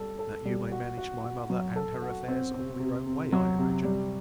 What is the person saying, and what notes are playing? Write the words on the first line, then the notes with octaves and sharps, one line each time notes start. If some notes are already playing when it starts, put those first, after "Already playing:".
"That you may manage my mother and her affairs all your own way, I imagine."
Already playing: G3 A4
A4
G3
F#4
F#4
F#4
F#3
A4
F#4
C4
C4
C3
C3
F#3
C3
G3